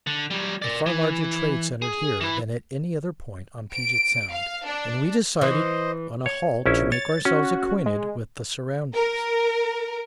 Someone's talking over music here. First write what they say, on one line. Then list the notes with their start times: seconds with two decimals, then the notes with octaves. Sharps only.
A far larger trade centered here than at any other point on Puget Sound, and we decided on a halt to make ourselves acquainted with the surroundings.
0.07 D3
0.30 F#3 G3
0.62 A#4 D5
0.86 E3
1.82 G#4
2.21 E3 E4
3.71 D7
4.30 F5
4.66 D4
5.41 E3 C5 D#5
6.26 C#5
6.66 A#1 C#4 E4
6.92 C#5 A6
7.25 C#4 F#4
7.86 G#3
8.95 A#4